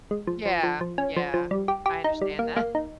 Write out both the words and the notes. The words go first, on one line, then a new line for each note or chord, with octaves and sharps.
Yeah, yeah. I understand that.
G#3
F3
F3
F3
F3
C#4
F3
F3
G3
G4
G4
D#4
G3
A#3
A#3
D#4